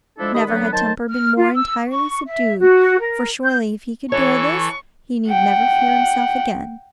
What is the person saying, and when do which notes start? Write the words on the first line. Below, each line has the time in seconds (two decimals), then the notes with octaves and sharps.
Never had temper been more entirely subdued; for surely if he could bear this, he need never fear himself again.
0.19 F3 G#3 D4 E4 A4
0.34 D#3 G4 B5 D#6
0.48 D3 F#3 B3
0.73 D#3 F#3 C5 A5
1.08 F6
1.37 F4
1.55 E6
1.87 C#6
2.26 E5
2.59 F#4
2.98 A#4
3.42 G6
4.12 E3 A4 C#5 C#6
5.28 F#5 G5